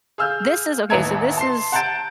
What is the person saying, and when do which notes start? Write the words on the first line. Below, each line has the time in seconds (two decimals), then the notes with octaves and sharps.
this is okay, so, this is
0.18 G#4 F5 E6 F6 G6
0.90 A1 D#2 B3 E5 A#5 G#6
1.37 A5 C6 C7
1.72 F#5 A5 A#5 G6 A6 D7